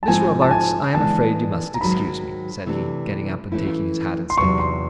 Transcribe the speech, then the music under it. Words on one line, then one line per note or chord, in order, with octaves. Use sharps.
"Miss Robarts, I am afraid you must excuse me," said he, getting up and taking his hat and stick.
A5
G#2 F3 A3 C4 E4 G#5
A5
G#5
E3 G#3 B3 D4 A5
A#5
G#2 D#3 F#3 B5
C3 E3 A3 D4
E3 A3 C#4 E4
C6
E2 C3 D#3 F#3 C#6
C6